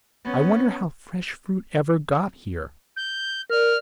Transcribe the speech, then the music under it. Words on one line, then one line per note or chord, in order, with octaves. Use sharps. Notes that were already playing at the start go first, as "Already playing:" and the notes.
I wonder how fresh fruit ever got here.
B3 C#4
G6
A#4 D5 F6